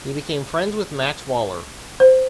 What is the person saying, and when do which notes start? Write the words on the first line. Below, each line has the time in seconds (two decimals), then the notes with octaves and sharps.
He became friends with Max Waller.
2.00 C5